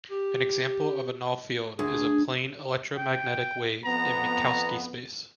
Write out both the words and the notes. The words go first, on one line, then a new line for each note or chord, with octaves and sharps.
An example of a null field is a plane electromagnetic wave in Minkowski space.
G4
D2 G#4
G5
F2 B3 A#5